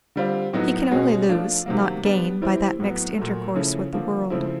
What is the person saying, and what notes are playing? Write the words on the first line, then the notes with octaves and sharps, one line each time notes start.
He can only lose, not gain, by that mixed intercourse with the world.
D3 G3 C4 F4
A2 F#3 B3 D#4 F#4
B2 G#3 C#4 F#4
F3 A3 D4 F4
C3 D#3 F#3 A#3
G3 B3 D4
E3 G3 C4 E4
A2 F#3 B3
A#2 F#3 A3
C#3 F3 A3 C#4 E4
D3 F3 A#3
C#3 F3 A3 C4 E4